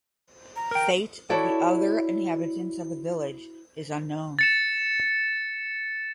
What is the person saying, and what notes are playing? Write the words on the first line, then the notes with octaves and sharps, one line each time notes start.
Fate of the other inhabitants of the village is unknown.
A#5
A#4 G5
E4 F#4 A4 C#5 D5
A6 C#7 E7